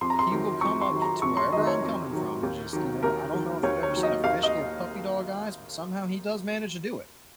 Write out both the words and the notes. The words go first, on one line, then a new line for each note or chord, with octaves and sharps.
he will come up to wherever I'm coming from and just, you know, I don't know if you've ever seen a fish give puppy dog eyes, but somehow he does manage to do it,
F2 C6
A#5
C6
D#3 F#3
F2 C#6
C6
D#3 F#3
A#5
F2 C#6
C6
D#3 F#3 D#5
C#5
F2
D#3 F#3
D#2
D#3 F#3
D#2 A#4
D#3 F#3
D#2 C#5
C#5
D#3 F#3
D#5
D#2 F5
D#5